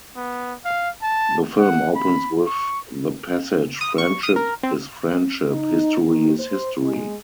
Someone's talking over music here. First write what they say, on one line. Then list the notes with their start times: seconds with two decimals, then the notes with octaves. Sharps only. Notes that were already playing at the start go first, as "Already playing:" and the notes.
The film opens with the passage Friendship is friendship; history is history.
0.16 B3
0.65 F5
1.02 A5
1.59 F#5
1.96 B5
2.46 C#6
3.81 D#6
3.98 C#6
4.23 D#6
4.36 A#4
4.63 C4
5.50 D#4
6.07 D#3
6.39 C5
6.83 G#3